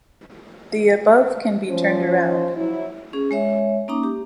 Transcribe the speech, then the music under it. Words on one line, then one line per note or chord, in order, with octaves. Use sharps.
The above can be turned around.
F3 C#4 C5
F#3 E4
C#4 G#4
G#3 C#5 E5
A#3 C#4 D#4 A#5 D6
G4